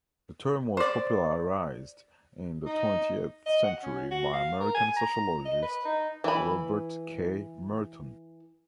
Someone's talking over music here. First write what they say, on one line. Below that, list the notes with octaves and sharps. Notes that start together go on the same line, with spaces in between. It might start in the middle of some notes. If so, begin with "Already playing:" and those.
The term was popularised in the twentieth century by American sociologist Robert K. Merton.
C5 D5
D#4
D#5
F#5
C#4
F#4
F5
A#4
G#5
A#5
D#5
B4
D#4
E3 B5